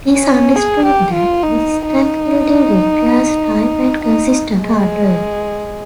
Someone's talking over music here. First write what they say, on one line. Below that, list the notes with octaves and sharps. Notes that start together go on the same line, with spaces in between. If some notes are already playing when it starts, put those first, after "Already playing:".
It is understood that this strength-building requires time and consistent hard work.
C#4
G#4
G4
F4
D#4
D#4
D#4
G#3